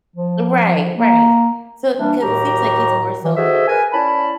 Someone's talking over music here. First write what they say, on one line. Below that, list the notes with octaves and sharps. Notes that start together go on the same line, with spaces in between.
Right, right. So 'cause it seems like he's more so, like,
F3
A#3
E3 G3 A#3 D4
D#2 A2 F#3 F#4 G4 A#5
E3
F#4 G#4 A4 C5 D#5 E5
G#4 A#4 B4 G#5
C#4 E4 D5 A5 B5